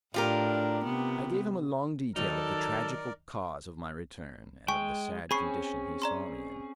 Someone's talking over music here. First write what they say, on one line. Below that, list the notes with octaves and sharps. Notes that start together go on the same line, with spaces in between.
I gave him a long detail of the tragical cause of my return, and of the sad condition he saw me in.
A2 D4 F4 G4 A#4
C3 B3
D#3 F#3 D#4 A4 A#4 D5
G#3 G5 G#5 C#6
C4 C#4 G#4 B5 C#6 C7
D5 A#5 C6